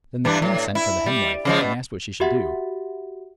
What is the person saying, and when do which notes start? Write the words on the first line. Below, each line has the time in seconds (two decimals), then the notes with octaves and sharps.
Then the queen sent for the Hen-Wife, and asked what she should do.
0.25 G2 E3 D4
0.42 A2
0.75 E4
1.06 G3
1.45 C#3 F3 G#3
1.61 B2
2.20 F#4 G4 E5 F#5